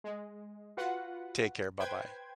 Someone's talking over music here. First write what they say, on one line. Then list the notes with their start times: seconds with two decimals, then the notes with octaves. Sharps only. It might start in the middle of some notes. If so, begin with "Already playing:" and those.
Take care, bye-bye.
0.04 G#3
0.77 F4 F#4 B4 F#5
1.79 B4 C5 G5 G#6